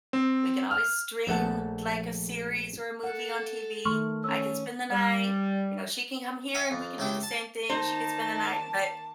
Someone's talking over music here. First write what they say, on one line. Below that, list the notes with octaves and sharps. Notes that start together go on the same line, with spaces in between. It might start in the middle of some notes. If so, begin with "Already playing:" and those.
we can always stream, like, a series or a movie on TV, I can spend the night, you know, she can come here and we can do the same thing, she could spend the night, but,
C4
F6
A#1 A3 F#5 A5
A4 F#5
D#3 A3 C6 C#6 F6
C#4 E6
G3
E5 F5 G5 G#5 A#5
F2
C#2 C#3 E4 G4 G5
A5
D#3 A#3 D#4 C5 A5